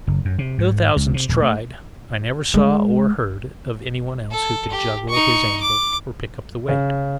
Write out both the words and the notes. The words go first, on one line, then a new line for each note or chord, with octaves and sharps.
Though thousands tried, I never saw, or heard, of anyone else who could juggle his anvil or pick up the weight.
F#1
F#2
C3
G#2
C#2
C3
D#1
A3
G#3
A4
G4
D#4 C#6
D6
C#3